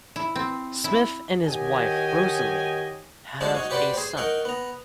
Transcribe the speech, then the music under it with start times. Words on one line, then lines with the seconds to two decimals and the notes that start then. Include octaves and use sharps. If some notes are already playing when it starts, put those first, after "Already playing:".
Smith and his wife Rosalynn have a son.
0.16 E4
0.36 C4
0.84 E4
1.44 D#3 F#4 G4 C#5 D#5 G#5
3.41 F3 G#3 D4 F#4 C5
3.55 D#4 F#4 G#5
3.70 F#4 G4 B4 C5 D5 F#5
3.94 G#4 C5
4.17 D#4 A#4 F#5 G5 C#6
4.45 B3 A#5